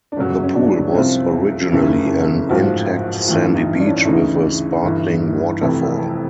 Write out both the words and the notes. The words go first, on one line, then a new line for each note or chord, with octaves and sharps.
The Pool was originally an intact sandy beach with a sparkling waterfall.
D4
G1 F#2 C#3 F#3 C#4
C#4
D4
C#4
C2 C3 F3 C4
F#1 F2 C#3 E4
A1 G#2 F3 F#4
A1 G2 E3 F4
D#4
D4
C#4
D4
D2 C#3 E3 D#4
G1 G2 E3
F1 F2 C3 E3 E4